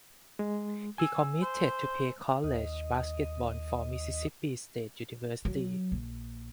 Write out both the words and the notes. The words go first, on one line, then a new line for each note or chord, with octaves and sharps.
He committed to play college baseball for Mississippi State University.
G#3
G#5 E6
C5
D#2 D#5
F#3
A#1